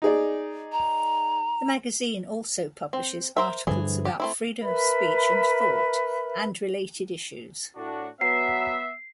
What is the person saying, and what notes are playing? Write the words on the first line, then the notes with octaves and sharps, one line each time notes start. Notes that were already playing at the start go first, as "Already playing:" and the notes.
The magazine also publishes articles about freedom of speech and thought, and related issues.
D#4 G#4 D5
A#5
C4
A#4 C5 E5
G2 D3 E3 F3 G#4
G4
A3 C4 E4
A#4 B4 E5 B5
A2 D4 F#4
F#3 B3 E5 C7